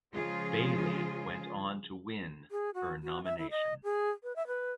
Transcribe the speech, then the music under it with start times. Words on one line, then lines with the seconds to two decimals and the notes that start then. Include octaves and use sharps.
Bailey went on to win her nomination.
0.13 C#3 F3 G#3 F4 G#4
2.51 G#4
2.74 F#4
3.03 F#4
3.24 E5
3.38 E4
3.51 D#5
3.84 G#4
4.23 B4
4.36 E5
4.47 B4